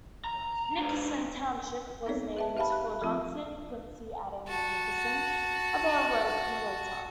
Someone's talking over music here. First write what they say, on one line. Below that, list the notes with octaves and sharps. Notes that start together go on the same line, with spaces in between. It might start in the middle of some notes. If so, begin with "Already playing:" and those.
Nickerson Township was named for John Quincy Adams Nickerson, a railroad promoter.
A#5
G#3 D4
B3 C4 D#4 A#4 C#5 D5
G#4 B4 E5 G5 A5
G4 E5 F5 G5 A5 B5
B5 F#6
F3 A3 C4 F4
F#4 A5